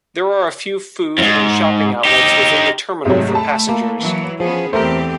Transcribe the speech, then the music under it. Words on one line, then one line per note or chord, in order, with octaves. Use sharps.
There are a few food and shopping outlets within the terminal for passengers.
F2 G#2
D#4 G4
G#2 C3 F#3 A3
A5 B5
A#3
E3 F#3
F3 B3 C#4 G#4
E2 A3 C4 G4 A#4 C5